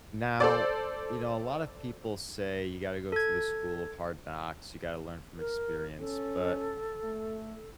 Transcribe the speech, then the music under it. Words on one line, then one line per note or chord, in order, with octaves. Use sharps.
Now, you know, a lot of people say you gotta go through the school of hard knocks, you gotta learn from experience, but
A4 C5 D5
A4 G#6
A#4
C#4 A4
A3